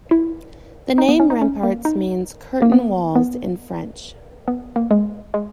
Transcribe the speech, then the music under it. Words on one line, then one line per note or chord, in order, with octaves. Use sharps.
The name "Remparts" means curtain walls in French.
E4
D#4
B3
C#4
D#4
C#4
A#3
D#4
A#3
B3
B3
B3
A#3
G#3
G#3